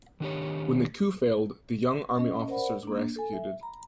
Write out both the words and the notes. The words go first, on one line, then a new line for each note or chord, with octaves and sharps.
When the coup failed, the young army officers were executed.
D#3 D4 G4 C#5
C#4 D#5
A#4 C5 D5 F#5 B5
A#3 D4
A4 G#5
E5
A#5 B5